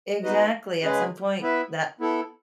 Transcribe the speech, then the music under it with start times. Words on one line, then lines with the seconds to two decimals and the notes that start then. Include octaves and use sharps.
exactly, at some point that
0.23 B3 D#4 F#4 B4 D#5
0.82 C#3 G#3 C#4 G#4 B4
1.41 B3 E4 B4 E5
2.00 B3 E4 A4